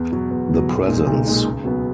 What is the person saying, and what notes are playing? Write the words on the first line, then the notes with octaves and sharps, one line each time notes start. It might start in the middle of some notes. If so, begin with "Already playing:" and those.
The presence.
Already playing: E2
B2 F#3
E2
B2 F#3
B1
A#2 G#3 D#4
B1
A#2 G#3 D#4
C#2
B2 F#3 B3